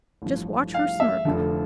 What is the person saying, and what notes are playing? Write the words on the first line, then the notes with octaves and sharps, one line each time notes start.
Just watch her smirk!
A1 G2 F3
F5
E5
F1 F2 D3 F3